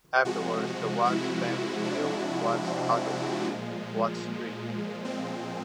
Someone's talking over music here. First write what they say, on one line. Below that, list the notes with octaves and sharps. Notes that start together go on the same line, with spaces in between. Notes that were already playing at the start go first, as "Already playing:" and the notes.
Afterwards, the Watts family built Watts Cottage in Watt Street.
C3 F3 G#3 F#4
E4
D4
C4
A#2 F3 G#3
C4